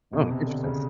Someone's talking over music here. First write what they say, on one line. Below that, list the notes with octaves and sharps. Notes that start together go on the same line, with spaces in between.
Oh, interesting.
B2
C3
D3
C#3